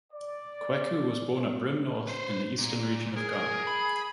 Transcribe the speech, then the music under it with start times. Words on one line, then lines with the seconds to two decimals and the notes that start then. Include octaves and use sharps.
Kweku was born at Brim North in the Eastern Region of Ghana.
0.12 D5
2.07 B4 C5
2.58 A#2
3.17 G#4 A#4
3.67 B5